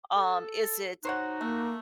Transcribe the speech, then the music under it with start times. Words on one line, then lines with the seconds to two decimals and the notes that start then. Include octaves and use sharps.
Um, is it
0.16 A4
1.05 D#4 F#4 C5 C#5 F#5
1.41 A3 A#3